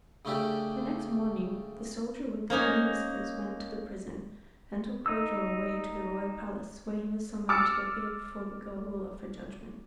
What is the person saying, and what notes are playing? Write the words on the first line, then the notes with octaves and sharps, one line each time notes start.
The next morning the Soldier with the Green Whiskers went to the prison and took Ojo away to the royal palace, where he was summoned to appear before the girl Ruler for judgment.
C#3 A3 C#4 D4 G4 A4
A#3 C#4 D#4 G#5
D#4 E6
D6 E6 F6 A6 C#7